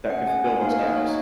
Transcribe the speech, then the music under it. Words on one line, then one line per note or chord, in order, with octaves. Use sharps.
that could fill those gaps.
C#4 F#5
G#4 G#5
A#3 G#5
D#4 F#4 F5
A#3 D#5
D#4 F#4 C#5